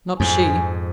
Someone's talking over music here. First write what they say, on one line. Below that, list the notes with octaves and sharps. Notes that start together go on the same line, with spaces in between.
Not she.
F2 G#2 G#5